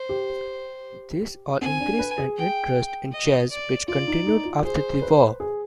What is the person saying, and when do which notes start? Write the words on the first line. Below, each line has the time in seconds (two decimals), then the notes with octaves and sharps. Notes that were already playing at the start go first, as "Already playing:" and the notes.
This all increased an interest in jazz which continued after the war.
Already playing: C5
0.09 G4
1.61 C4 G#5
1.80 D4
1.99 B4
2.18 G#4
2.37 G5
3.12 D#5
3.51 D5
3.88 F4 D5
4.07 D#4
4.27 D#4
4.45 F4
4.64 G#4 C5
5.02 B4
5.40 G#4